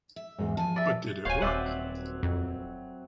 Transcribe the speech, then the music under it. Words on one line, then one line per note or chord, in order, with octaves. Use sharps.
But did it work?
E5
E2 G#2
F3 G#5 A5
D5 E5
D1 F#4 C5 C#5 F5 G#5
D#1 F#3 C4 C5 D5 E5 F#5
F2